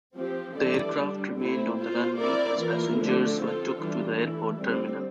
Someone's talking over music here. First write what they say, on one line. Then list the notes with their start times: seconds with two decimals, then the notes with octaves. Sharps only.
The aircraft remained on the runway as passengers were took to the airport terminal.
0.15 F3 C4 G4
0.55 E3 G3 D4 A4 D5
0.96 D3 G3 D4
1.36 A3 C4 E4 A4
1.76 A#3 F4 C5
2.17 C4 E4 A#4 D5
2.57 E3 A#3 F4 A#4
2.97 D3 F3 A3 D4
3.38 C4 F4 A4
3.78 E3 G3 D4 F4
4.18 E3 A3 E4
4.58 D3 G3 C4